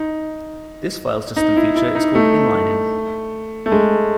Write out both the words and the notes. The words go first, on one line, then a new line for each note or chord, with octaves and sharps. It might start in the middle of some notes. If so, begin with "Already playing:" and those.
This file system feature is called inlining.
Already playing: D#4
D#4
E4
E4
D#4
A3
A3
G#3